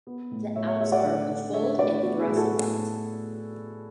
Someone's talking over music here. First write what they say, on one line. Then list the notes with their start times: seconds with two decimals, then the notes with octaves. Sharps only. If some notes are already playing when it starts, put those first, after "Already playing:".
The Alps are a fold and thrust belt.
0.07 B3
0.31 A2
0.56 A2 C#5 E5
0.68 C#5 E5
0.80 G#3 C#5 E5
0.92 D5 F#5
1.04 D3
1.29 D3
1.53 A3 C#5 E5
1.78 A3 B4 D5
2.03 B3 F#4
2.20 E4 G#4
2.27 A2
2.36 F#4 A4
2.52 A2